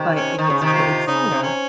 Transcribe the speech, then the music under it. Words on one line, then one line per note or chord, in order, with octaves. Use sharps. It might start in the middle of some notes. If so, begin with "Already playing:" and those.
but if it's put in soil,
Already playing: C3 D#3
C#4
D#3 D#4
C#3
C3 D#3 D#4
F4
C#3 D#4
C3
C#4